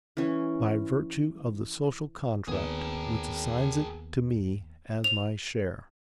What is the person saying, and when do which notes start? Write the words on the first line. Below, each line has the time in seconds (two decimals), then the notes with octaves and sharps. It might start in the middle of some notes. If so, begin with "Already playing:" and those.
By virtue of the social contract which assigns it to me as my share.
0.17 E3 C#4
2.48 D#2 D#3 B3 G#4 A#4
5.04 F7